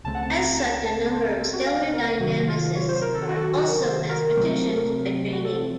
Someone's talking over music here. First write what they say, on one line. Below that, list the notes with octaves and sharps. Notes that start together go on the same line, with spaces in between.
As such a number of stellar dynamicists are also mathematicians by training.
C#2 C#3 A3 C4 A5
F#5
A5
A#5
A5
A5
A5
C5
A#4
A4
F#4
F5
A#4
C3 D#3 F#3 F#4
F4
C#5
C5
A#4
A4
F#4
A4
F#4
F#4
A#4
C5
A#4
C3 F#3 A3 C4
F#4
A4